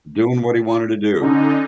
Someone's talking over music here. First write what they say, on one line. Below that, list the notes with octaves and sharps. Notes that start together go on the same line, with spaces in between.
Doing what he wanted to do.
D3 C#4 D#4